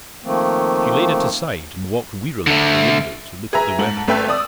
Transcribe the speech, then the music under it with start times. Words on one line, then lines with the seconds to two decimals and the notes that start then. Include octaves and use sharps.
She laid it aside, and walked wearily to the window to look at the weather.
0.24 D#3 F3 A3 A#3 C4
2.47 D3 A3
3.53 G#4 B4 E5 A#5
3.79 G#2 A4 F#7
4.08 G#1 A3 A4 B4 E5 G5
4.29 D5 D#6 E6